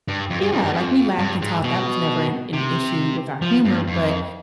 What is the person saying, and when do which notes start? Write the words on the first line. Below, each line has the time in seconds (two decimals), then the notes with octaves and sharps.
yeah, like, we laughed and talked, that was never an an issue with our humor, but
0.08 G2
0.30 F2
0.40 G2
0.52 F2
0.62 G2
0.73 F2
1.19 G2
1.42 G#2
1.64 B2
2.53 C3
3.42 F3
3.65 G2
3.88 F2